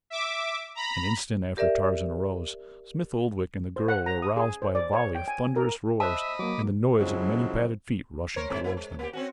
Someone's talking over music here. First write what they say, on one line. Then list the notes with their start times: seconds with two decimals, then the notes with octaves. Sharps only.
An instant after Tarzan arose, Smith-Oldwick and the girl were aroused by a volley of thunderous roars and the noise of many padded feet rushing toward them.
0.10 E5 D6
0.75 A#5 B5
1.57 G4 A#4 D5 E5
3.76 C5
3.88 F#5
4.06 A#5
4.22 D#6
4.37 G#4
4.62 C5
4.75 D5
4.93 C#5
5.15 G5
5.28 G#5
5.56 A#4
6.00 C5 D#5 E5 A5 B5
6.39 F#3 A#3 D6
6.99 F2 C#3 F#3 G#3 C4 E4
8.36 A#4 C5 C#5
8.50 G#3 C4 E4
8.64 A#3 E4
8.77 G#3
8.99 A#3 G4
9.13 C4 C#4 F#4